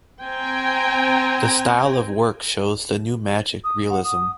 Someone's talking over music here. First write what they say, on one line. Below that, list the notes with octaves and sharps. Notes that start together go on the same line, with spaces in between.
The style of the work shows the new magic realism.
C4 G5 G#5 A#5
D#6
F#5
D#6